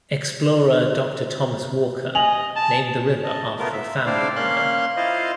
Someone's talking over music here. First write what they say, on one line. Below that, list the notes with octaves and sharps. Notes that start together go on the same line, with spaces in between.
Explorer Doctor Thomas Walker named the river after a family member.
D#5 G#5 F7 F#7
A5
D#5 A5
A3 B3 F4 A#4
E5
C4 D4 E4 C5 D5 F5
A#3 C#4 F5 C6 F#6
E4 F4 C5 D#5 F5